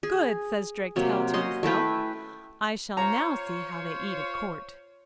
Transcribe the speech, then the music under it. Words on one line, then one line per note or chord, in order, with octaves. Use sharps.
'Good!' says Drakestail to himself, 'I shall now see how they eat at court.'
G#4
C3 F#3 A#3
C#4 F#4 D#5 C6
A3 E4 B4 G5
F4 C5 C#5 A#5